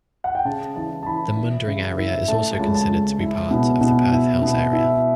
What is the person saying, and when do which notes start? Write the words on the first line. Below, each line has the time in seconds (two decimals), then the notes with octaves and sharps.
The Mundaring area is also considered to be part of the Perth Hills area.
0.24 F#5
0.35 G5
0.45 C#3 A5
0.76 E3 A5
1.03 A5
1.06 E3 B5
1.37 E4
1.67 C#3
1.98 E4
2.28 A3 A5
2.51 A5
2.59 C#2
2.75 A5
2.89 C#2
3.20 E4
3.51 B2
3.81 B2
4.11 E4
4.42 B2
4.73 E4